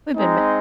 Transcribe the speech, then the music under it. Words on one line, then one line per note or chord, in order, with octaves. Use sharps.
We've been ma
G#3 C4 D#4